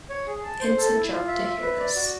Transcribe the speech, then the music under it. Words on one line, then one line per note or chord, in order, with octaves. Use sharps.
It's a joke to hear this.
C#5
G#4
A5
C5
A4
E4
F4
E5
E5
B4
D5
F#4